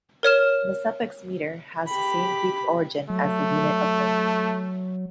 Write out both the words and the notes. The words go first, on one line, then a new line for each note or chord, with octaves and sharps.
The suffix "-meter" has the same Greek origin as the unit of length.
A#4 C#5 F6 E7
G4 B5
F#3 A3